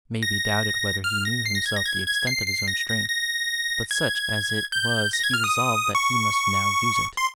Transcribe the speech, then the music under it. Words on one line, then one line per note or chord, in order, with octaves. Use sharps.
It may be doubted whether he knew himself the extent of his own strength, but such as it was he resolved that he must now use it.
A#6
F6
A#6
C7
A#6
G#6
A#6
G#6
G#6
C7
C7
A#6
A#6
A#6
G#6
G6
A#6
G#6
F6
D#6
C#6
C6